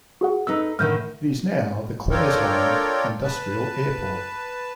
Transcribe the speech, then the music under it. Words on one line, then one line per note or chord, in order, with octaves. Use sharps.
It is now the Claresholm Industrial Airport.
F#4 G#4 F#5
D#4 A4 B4 E6
A2 D3 D#3 F6 G6
D4 F4 A4 A#4 C#5 G5
B4 A5